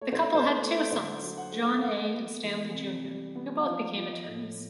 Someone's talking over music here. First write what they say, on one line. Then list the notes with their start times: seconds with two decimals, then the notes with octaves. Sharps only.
The couple had two sons, John A. and Stanley Junior who both became attorneys.
0.01 A3 C#5
0.13 C5
0.23 C#5
0.31 A3 C5
0.47 B4
0.62 A3
0.92 D3 C5
1.22 F#3
1.37 F#5
1.52 A3
1.79 F5
1.83 B3 F#5
2.13 B3
2.43 E3
2.74 C3
3.04 G3
3.35 B3
3.60 F#5
3.65 F3 F5
3.95 F3
4.10 D#5
4.26 A2